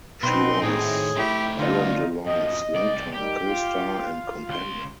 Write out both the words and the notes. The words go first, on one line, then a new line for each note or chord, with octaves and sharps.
She was Alain Delon's longtime co-star and companion.
B2 C4 D#4 B4 C6
A2 D#3 G#3 G#4
A3 C4 E4 G4
D3 D#4 F4
F#2 F3 D#5
C2 D5
D#3 G3 G4
F4 F5
C#2 C6